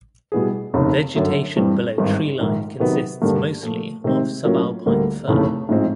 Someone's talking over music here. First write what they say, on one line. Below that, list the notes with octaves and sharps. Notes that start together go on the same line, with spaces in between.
Vegetation below treeline consists mostly of subalpine fir.
B2 G3 B3 E4 G#4
F1 D#2 C#3
G1 F#2 D3
G2 E3 G3 C4
G#1 G2 D#3
A#1 G#2 D#3
C3 D#3 F#3 B3
G2 D3 G3 A#3 D4
A#2 F3 A3
C3 D#3 G#3 C4
A2 F#3 A#3 C#4 F4
D2 D3 G3 A#3
F1 D#2 C#3 E3 A3
A1 G#2 F3 G#3 C4